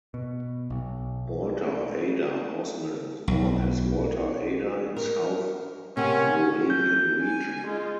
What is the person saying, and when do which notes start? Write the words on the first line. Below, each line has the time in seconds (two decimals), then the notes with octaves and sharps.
Walter Ader Hausman was born as Walter Ader in South Moravian Region.
0.14 B2
0.70 B1
3.28 B1
4.96 A#4
5.97 C3 C#4 A#4 F#5
6.70 G6
7.20 G#5
7.65 G#3 F4